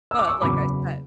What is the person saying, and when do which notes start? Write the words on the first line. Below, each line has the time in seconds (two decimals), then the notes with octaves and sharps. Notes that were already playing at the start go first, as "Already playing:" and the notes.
But like I said,
0.11 E6
0.19 D6
0.28 C#6 E6
0.41 F#1 E2 C#3 F#3 B5 D6